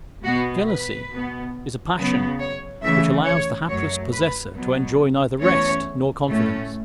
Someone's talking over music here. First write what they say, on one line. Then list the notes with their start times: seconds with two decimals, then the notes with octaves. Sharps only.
Jealousy is a passion which allows the hapless possessor to enjoy neither rest nor confidence.
0.24 B2 B3 F#4
0.67 B4
1.11 B2 B3
1.97 C#3 F#3 B3
2.40 C#5
2.83 C#3 E3 A3 E5
3.26 C#5
3.69 F#2 F#3 A3 C#5
4.12 B4
4.55 B2 F#3 B3
5.41 E2 E3 A3 C#4 C#5
6.28 A2 A3 C#4